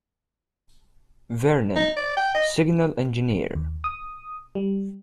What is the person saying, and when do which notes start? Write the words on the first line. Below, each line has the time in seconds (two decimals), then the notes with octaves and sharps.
Vernon, Signal Engineer.
1.76 D#4
1.97 D5
2.17 G5
2.35 D#5
3.55 D#2
3.84 D#6
4.55 G3